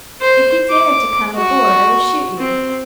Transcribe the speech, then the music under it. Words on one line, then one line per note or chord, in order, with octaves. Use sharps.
If you dare to come aboard I will shoot you.
C5
D6
F#4
C4